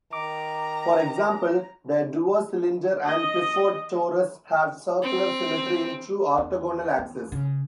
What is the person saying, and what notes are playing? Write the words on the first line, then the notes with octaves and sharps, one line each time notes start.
For example the duocylinder and Clifford torus have circular symmetry in two orthogonal axes.
D#3 A#5 D6
D#5
C4
E2
E2
C#3